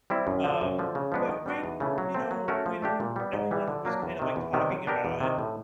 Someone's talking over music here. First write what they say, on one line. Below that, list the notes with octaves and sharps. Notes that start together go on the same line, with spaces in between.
um, but when, you know, when everyone was kind of, like, talking about it,
G3 C4 E4
F#2
D3 F3
F#2
D3 F3 A3
C#3
F3 G#3 B3 D4
D#3
G3 B3 D4 F#4
E2
C#3 E3 A3
F#3
A3 C4
F#3
A3 C#4 F#4 A#4
F3
A3 D4 G4
A#2
G3 B3
G#2
E3 G3 B3
D3
F#3 A#3 D4
E2
C3 D#3
E2
C3 D#3 G3 B3
F#3
B3 D4 G4 A#4
E2
C3 D#3
A2